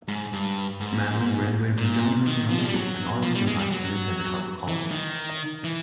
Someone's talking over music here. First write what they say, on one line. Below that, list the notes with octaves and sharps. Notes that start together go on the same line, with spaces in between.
Matlin graduated from John Hersey High School in Arlington Heights and attended Harper College.
G#2
G2
G#2
A#2
D#3
F3
G#3
G3
F#3
F3
G3
G#3
G3
F#3
E3
D#3
E3